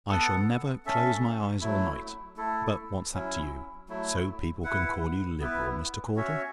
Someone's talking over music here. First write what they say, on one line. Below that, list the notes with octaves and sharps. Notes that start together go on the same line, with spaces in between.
I shall never close my eyes all night,--but what's that to you, so people can call you liberal, Mr. Caudle?
B3 A4 F#5
C#4 A4 E5
F#3 A3 E4
A3 E4 A4
F#3 C#4 E4
F#3 A3 E4
E4 B4 F#5
B3 E4 B4
C#4 F#4 C#5 E5